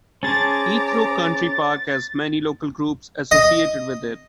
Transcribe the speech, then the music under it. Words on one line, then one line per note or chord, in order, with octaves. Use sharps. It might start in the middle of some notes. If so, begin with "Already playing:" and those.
Etherow Country Park has many local groups associated with it.
C#4 G#4 C5 A5 A#5 D6 A6
D#5